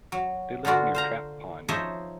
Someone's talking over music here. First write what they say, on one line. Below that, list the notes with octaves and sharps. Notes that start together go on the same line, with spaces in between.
They lived near Trap Pond.
F#3
D3 B3 F4 F#4 D5
C5 F5 A#5
F3 D#4 C5 C#5 D#5 E5